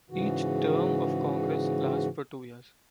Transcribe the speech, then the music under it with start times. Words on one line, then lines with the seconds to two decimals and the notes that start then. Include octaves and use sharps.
Each "term" of Congress lasts for two years.
0.10 G#2 C#3 E3 F#4